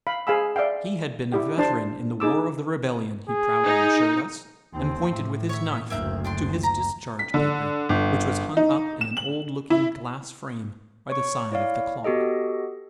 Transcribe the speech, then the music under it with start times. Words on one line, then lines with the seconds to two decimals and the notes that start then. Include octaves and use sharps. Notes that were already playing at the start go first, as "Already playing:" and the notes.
He had been a veteran in the War of the Rebellion, he proudly assured us, and pointed with his knife to his discharge-paper, which was hung up in an old looking-glass frame by the side of the clock.
0.07 F5 B5
0.27 G#4 C5 F5 G#5 B5 E6
0.56 D5 E5 F5 G5
1.32 E4 G4 G5
1.58 D4 C5 A5 C6
2.20 D#4 G#4 D6 E6
3.29 G#4
3.65 D#4
4.74 D#2 C4
5.11 A2
5.49 C#5 E5
5.90 F#1 D2 A#3 E5 G6
6.24 D4 G5 C6
6.63 A#5
7.19 B6
7.34 D3
7.89 G1
8.57 D#4
9.01 E7
9.17 F#7
9.70 E4
11.10 C#5 C#6
11.52 E4 C#5 D5 F5
12.04 B3 F#4 G4 A4 D#5